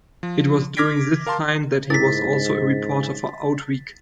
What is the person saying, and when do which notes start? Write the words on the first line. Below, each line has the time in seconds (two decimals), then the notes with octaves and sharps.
It was during this time that he was also a reporter for "OutWeek".
0.23 F3
0.77 D6 F6 G#6 A#6 B6 D7
1.26 A#4 F5 A5 C6
1.90 G#2 E4 G#4 A#4 A6 B6